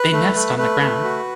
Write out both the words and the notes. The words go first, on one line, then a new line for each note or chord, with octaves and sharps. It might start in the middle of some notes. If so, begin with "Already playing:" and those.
They nest on the ground.
Already playing: B4
A3
A3
A3 B4
A3
F#4